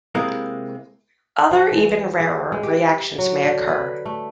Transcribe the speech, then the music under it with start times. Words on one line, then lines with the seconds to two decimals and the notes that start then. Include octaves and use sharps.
Other even-rarer reactions may occur.
0.15 C3 G#3 A#3 E4
1.51 F3
1.72 E3
2.20 G#4
2.52 G#3
2.63 G4
3.18 F#3
3.45 D3
3.68 B4
4.06 A3